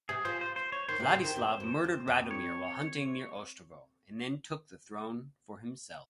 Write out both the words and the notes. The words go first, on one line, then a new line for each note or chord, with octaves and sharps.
Vladislav murdered Radomir while hunting near Ostrovo, and then took the throne for himself.
C3 G#4
F3 C5
C5
C5
C#5
D#3 C5
C3
C5
C#3
D#3 C5
F2
F#2
F2
F2
C#5